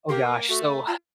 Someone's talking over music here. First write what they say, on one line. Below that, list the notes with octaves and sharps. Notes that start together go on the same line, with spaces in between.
Oh gosh, so,
A#3 G4
A3 F#4
F4